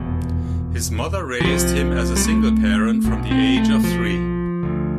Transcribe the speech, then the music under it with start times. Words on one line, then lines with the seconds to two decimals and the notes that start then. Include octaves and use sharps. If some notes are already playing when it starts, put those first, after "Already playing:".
His mother raised him as a single parent from the age of three.
Already playing: F1 E2 B2
1.40 E3
1.45 C2 C3 F3
2.16 G3
2.25 A3
3.05 B1 B2
3.31 C4
3.56 A3
3.84 F3
4.63 D2 D3